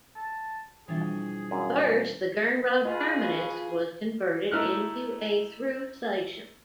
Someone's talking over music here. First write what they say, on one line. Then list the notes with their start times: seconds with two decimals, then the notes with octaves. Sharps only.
First, the Gernrode terminus was converted into a through station.
0.16 A5
0.88 B2 E3 F3 G3 D4 G#4 A6
1.51 F#2 F5 C6
2.85 B2 F4 G#4 B4 D#5
4.51 A3 D#4 E4 F6 F#6